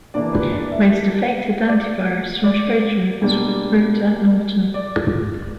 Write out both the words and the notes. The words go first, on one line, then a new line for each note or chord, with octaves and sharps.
Most affected antivirus from Trojan is Webroot and Norton.
E3 A#3 D4 D5
B4
D5
E5
D5
D5
B2 G3 A#3 D4
D5